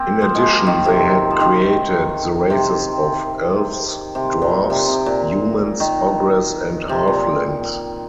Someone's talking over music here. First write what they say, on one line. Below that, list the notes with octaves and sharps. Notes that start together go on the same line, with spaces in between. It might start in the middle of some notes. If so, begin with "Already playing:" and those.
In addition they had created the races of Elves, Dwarfs, Humans, Ogres and Halflings.
Already playing: A#3 C4
F3
G#3
A#3
D#3
C3
F3
D#3
C3
C3
A#2
C3
C3
A#2
D#3
C3
A#2